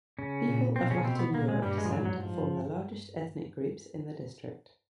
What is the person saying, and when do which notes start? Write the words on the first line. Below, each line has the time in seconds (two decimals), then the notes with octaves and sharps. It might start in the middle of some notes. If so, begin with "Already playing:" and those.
People of Latin Europe descent form the largest ethnic groups in the district.
0.19 C#3 C#4
0.47 A#2
0.76 B2 C4
0.90 C#3 C#4
1.05 B2 C4
1.19 B3
1.34 A#2 A#3
1.49 G#3
1.62 G2 G3
1.78 G#3
1.85 F3
1.92 G#2 F#3
2.05 F#3
2.20 G#2 F3